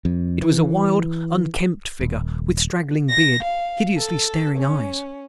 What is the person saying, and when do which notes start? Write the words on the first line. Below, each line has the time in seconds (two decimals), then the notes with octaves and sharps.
It was a wild, unkempt figure, with straggling beard, hideously staring eyes.
0.05 F2
0.42 E3
2.01 D#1
3.09 A#6
3.43 F5
3.97 A4
4.58 C#4